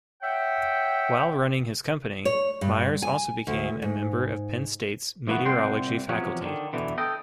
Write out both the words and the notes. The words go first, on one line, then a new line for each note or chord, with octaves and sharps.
While running his company, Myers also became a member of Penn State's meteorology faculty.
C#5 E5 F#5 G5
C#5
G2
G#5
D2
G#2
G#2 E3 A#3 B3 F#4
C2 A#2 C4 F#5 G5 C6
E2 C3 F3 F#3 C#4
D3 D#3
B2 D3 E3
A4 D#5 G5